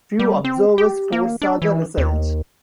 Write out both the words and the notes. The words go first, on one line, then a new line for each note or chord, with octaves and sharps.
Few observers foresaw the result.
G3
C4
G4
A#3
D4
E3
D#2